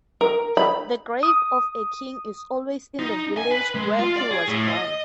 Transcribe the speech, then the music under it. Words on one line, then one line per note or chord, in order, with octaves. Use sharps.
The grave of a king is always in the village where he was born.
A#4
B5
D#6
D#4
G#5
B4
G#3
F4
D5
G#4
A2
D#5